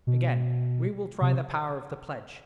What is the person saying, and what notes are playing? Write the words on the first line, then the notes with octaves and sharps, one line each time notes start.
Again: we will try the power of the pledge.
B2
C3